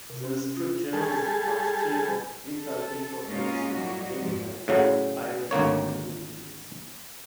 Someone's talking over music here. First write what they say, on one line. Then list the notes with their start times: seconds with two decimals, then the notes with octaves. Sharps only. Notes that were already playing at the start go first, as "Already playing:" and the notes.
These structures are still of vital importance in the daily life of Irish communities.
0.10 C3
0.25 C#4
0.57 F4
0.93 G3 G#4 A4
2.54 A4
3.24 G#2 G#3 A#3 C#4 D#4 F4
3.70 F#3 G3 A#3 D#4 F#4
4.17 F2 G#2 F3
4.68 A2 C#3 F#3
5.51 G#1 D2 A#3 C#5